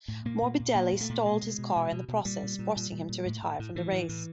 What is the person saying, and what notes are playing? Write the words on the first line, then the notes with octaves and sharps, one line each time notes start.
Morbidelli stalled his car in the process, forcing him to retire from the race.
A2
A#2 A#3
A#2
A#2
A#2 A#3
A#2
A3
A#2
B2 G#3
B2
B2
B2
B2
B2
A#2 G3
A#2
A#2
A#2
A#2
A#2
A2
A2
A2
A2 E3
A2
A2